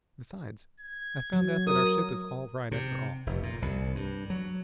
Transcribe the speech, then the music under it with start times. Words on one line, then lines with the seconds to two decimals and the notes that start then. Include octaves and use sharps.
Besides I've found out that our ship is all right, after all.
0.80 G#6
1.33 F#3
1.67 A#4 D#6
2.72 C3
3.26 F1
3.43 A#2
3.62 C2
3.95 G2
4.30 F#3